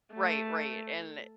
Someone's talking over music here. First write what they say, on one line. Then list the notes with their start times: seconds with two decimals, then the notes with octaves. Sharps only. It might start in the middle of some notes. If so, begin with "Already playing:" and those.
Right, right, and le
0.14 A3